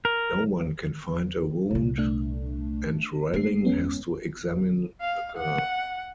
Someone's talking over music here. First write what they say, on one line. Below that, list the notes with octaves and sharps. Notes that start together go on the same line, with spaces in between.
No one can find a wound, and Relling has to examine the girl.
A#4
C2 A#2
A3 D4
G1 G#3 A3 C7
B3 C#4
F5
F#5